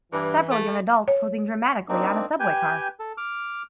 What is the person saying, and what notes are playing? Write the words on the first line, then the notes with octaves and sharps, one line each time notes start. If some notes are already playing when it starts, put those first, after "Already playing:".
Several young adults posing dramatically on a subway car.
G2 E3
A3
C#5
A#3 C4 D4 D#4
G4 B4 G5 G#5
A4
D6 F6